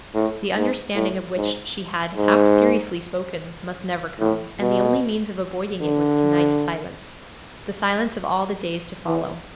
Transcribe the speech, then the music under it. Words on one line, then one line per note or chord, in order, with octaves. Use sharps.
The understanding of which she had half-seriously spoken must never come, and the only means of avoiding it was to-night's silence, the silence of all the days to follow.
A2
G#2
A2
G#2
G#2
A2
B2
D3
E3